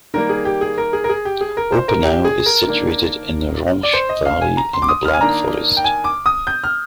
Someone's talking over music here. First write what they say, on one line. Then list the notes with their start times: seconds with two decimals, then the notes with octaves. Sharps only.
Oppenau is situated in the Rench valley in the Black Forest.
0.14 D#3 G3 A#3 A#4
0.29 G#4
0.45 G4
0.61 G#4
0.78 A#4
0.93 G#4
1.04 A#4
1.09 G#4
1.25 G4
1.41 G#4
1.57 A#4
1.72 C5
1.88 A#4
2.04 G4
2.25 G#4
2.46 A#4
2.67 D#3 A#3 D4
3.83 D5
3.93 C5
4.09 D#5
4.25 F5
4.41 G#5
4.57 A#5
4.73 C6
4.82 D6
4.89 D#6
5.05 F6
5.13 G#5
5.21 D#3 A#3 D4 A#5
5.77 G5
5.84 G#5
6.04 D6
6.26 D#6
6.47 G6
6.64 F6